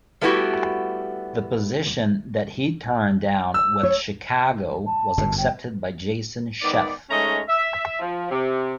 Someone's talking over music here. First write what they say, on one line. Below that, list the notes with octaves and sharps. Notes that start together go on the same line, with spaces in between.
The position that he turned down with Chicago was accepted by Jason Scheff.
G3 A3 B3 E4 F#4 G4
E6
C#5
A5
G1 F#2 A2
G5
G#2 D#3 B3 D5
G#2 G#3 A3 C#4 D#5 A#5
E5
F3
C3